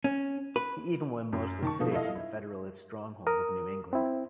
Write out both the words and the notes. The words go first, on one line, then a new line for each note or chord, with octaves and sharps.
He even won most of the states in the Federalist stronghold of New England.
C#4
B4
F#2
D#3 A5 C#6
B2 D3 F3 D#4 A4
E4 F4 A4 D#5 F5
E4
A#4 D#6
C4 E4